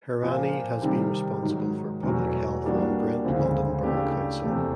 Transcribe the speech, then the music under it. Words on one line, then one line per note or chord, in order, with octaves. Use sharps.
Hirani has been responsible for public health on Brent London Borough Council.
A#2 F3 A#3
C3 D#3 G3
G#2 D#3 F#3
E2 B2 F#3 A3
E3 G3 A#3 D4 F#4
D2 C#3 F3 G#3 C4
C#3 E3 A3 D4 G4
E2 C3 E3 A3